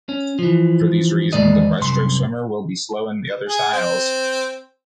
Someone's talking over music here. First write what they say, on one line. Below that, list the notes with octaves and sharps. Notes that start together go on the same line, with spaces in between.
For these reason the breaststroke swimmer, will be slow in the other styles.
C#4
E3 F3
E2 D#3 G#3 D5 D#5
C2 F#2 C6
G#4
C4